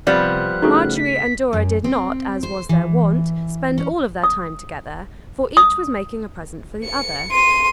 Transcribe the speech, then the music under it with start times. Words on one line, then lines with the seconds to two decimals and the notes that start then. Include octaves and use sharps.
Marjorie and Dora did not, as was their wont, spend all of their time together, for each was making a present for the other.
0.07 C3 F3 G3 B3 D5 F#6
0.62 C#3 A3 D#4 F#4 G#4
0.97 B6
1.53 F#2
1.84 C4
2.43 C5
2.69 E3
3.78 C#4
4.24 D#6
5.57 D#6
6.85 C#7
7.32 C6 D#7